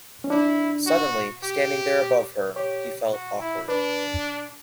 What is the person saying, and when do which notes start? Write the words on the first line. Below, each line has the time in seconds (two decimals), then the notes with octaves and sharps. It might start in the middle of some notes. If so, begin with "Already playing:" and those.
Suddenly, standing there above her, he felt awkward.
0.24 C#4
0.30 D4 E4
0.87 F#4
1.43 G4
2.56 G4 C#5
3.13 F#4
3.40 E4
3.69 D4 B4